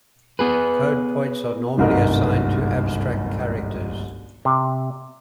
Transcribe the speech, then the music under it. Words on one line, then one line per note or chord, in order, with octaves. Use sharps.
Code points are normally assigned to abstract characters.
B3 G#4 B4
D1 G1 C2 G#2 A#4 D#5
C3